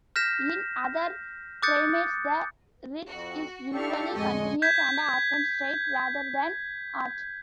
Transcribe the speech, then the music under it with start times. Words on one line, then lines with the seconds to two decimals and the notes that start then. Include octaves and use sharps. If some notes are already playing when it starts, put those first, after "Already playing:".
In other primates, the ridge is usually continuous and often straight rather than arched.
0.16 F6 G6 A#6 B6 E7
1.62 D6 D#6 F#6 G6 A6 C#7
3.09 F2 F#4
3.73 D4 E4 G4 A4 F5 C#6 F6
4.15 F2 A2 D3 G#3 D#5 G#5 C#6
4.62 G6 G#6 B6